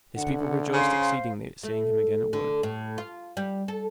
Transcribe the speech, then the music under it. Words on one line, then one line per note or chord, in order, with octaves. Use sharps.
His people rejoiced exceedingly at seeing him again at work.
D3 F#5
C#3 C5 F5
A3
D3
A2
F4
G3
A4